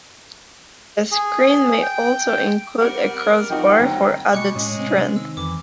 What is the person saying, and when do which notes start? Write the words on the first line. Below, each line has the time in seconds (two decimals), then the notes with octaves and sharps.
The screen may also include a crossbar for added strength.
1.11 G#4
1.82 G5
2.81 G3 C4 A#4 F#5
3.50 F3 C4 D#4 F#4 F#5
3.79 D2 F#3
4.33 B2 D#5 G#5 C#6 D6 F#6 C#7
4.55 A2 G#3 C#4
4.79 C3 C4
5.16 D#3 E6
5.37 F2 E3 D6